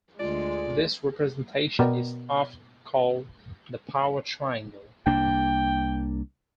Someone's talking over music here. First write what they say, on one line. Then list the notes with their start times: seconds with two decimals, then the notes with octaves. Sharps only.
This representation is often called the "power triangle".
0.19 D2 G#3 F4 D5
1.79 B2 B3 A#4 D5 G5
5.06 C2 A#3 D4 G5